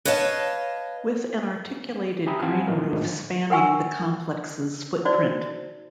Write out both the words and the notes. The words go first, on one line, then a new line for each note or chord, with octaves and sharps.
With an articulated green roof spanning the complex's footprint.
B4 C#5 D#5 F5 A5
G4 E5 G#5 A#5 B5 D#6
C4 C5 F5 F#5 G#5 A5
A#2 E3 D#4 F4 A#4
A2 D#3 F3 G#3
A#4 B4 F#5 G#5 C#6 E6
D#4 F#4 C5 D5